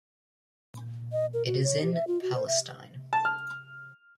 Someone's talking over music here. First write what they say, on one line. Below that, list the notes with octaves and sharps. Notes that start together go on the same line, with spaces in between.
It is in Palestine.
D#5
A#4
F#4
C#5
G4
E5
F4
F#4
C5
E5
A5
F6